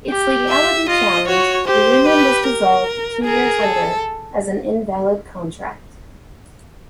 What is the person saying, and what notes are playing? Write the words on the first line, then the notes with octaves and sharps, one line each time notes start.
Its legality challenged, the union was dissolved two years later as an invalid contract.
G4
E5
F4 D#5
F#4 C#5
G4 C5
G4 B4
A#4
G#4 A#4
A4